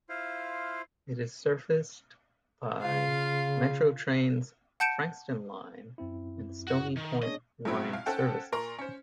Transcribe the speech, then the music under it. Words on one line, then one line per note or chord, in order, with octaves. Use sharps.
It is serviced by Metro Trains' Frankston line and Stony Point line services.
E4 F4 C5 F5
C#3 F4 F5
F#5 A5 G6 C#7 D7 E7
F#2 C4 E4
F#4
D#3
D4 G#4 C#5 D#5
G2 B2 F#3 C4 E4
F5
C#4 A4 C5 F#5 G5 A5
A#2 A#4 C6 C#6
C#4 C5